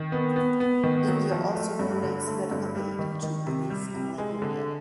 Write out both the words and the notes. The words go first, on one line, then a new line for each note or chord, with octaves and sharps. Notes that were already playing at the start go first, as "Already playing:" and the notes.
India also donates Medical aid to Belize and Liberia.
Already playing: D#3
B3
B3
B3
D#3
F#3
F3
A3
G2
D3
A3
G2
G3
D#3
D#3
C3
G3
C3
G#3
D3